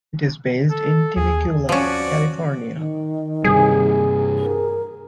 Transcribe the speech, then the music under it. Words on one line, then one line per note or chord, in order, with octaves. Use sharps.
It is based in Temecula, California.
A4
D#2 G#4
F3 C#4 F#4 D5
D#3
G2 C3 G3 G#4
A#4